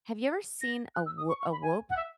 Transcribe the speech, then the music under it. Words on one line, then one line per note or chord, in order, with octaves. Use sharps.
have you ever seen a W a Whoop?
A#6
F#6
E6
D#6
C#6
C#6
B5
G#5
F#5
E5